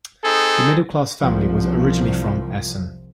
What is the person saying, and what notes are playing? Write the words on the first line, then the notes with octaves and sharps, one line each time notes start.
The middle class family was originally from Essen.
C4 D#4 G#4 A4
C2 F3